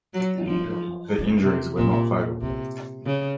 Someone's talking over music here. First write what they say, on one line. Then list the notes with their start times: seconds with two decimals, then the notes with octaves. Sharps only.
The injuries were not fatal.
0.14 F#3
0.46 F3
1.44 C3
1.76 A#2
2.41 C3
3.06 C#3